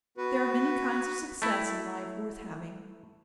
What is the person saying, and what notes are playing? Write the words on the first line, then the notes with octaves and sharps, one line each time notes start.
There are many kinds of success in life worth having.
B3 F#4 B4
A3 E4